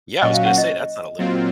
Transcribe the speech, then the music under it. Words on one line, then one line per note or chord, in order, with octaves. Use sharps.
Yeah, I was gonna say that's not a little thing.
A#2 F#3 C#4 F#4 D#5
F5
F#5
D#5
A#2 F#3 C4 F4